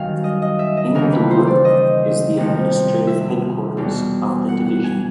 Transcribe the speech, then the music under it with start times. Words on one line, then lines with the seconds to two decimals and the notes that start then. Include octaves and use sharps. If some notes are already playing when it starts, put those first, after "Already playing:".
Indore is the administrative headquarters of the division.
Already playing: F#2 D#3 G3 F5 G#5
0.24 D#5
0.42 D#5
0.59 E5
0.77 D#5
0.95 D#2 C#3 E3 G3 A#4
1.13 B4
1.31 C5
1.47 D5
1.65 D#5
2.37 F2 C3 D#3 G3
3.07 E5
3.77 E2 B2 G3
4.48 F#5
4.66 F#5
4.84 G#5